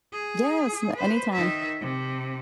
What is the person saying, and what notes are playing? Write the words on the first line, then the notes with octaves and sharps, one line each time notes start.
Yes. Na anytime.
G#4
B4 C5
D#3 E5
C3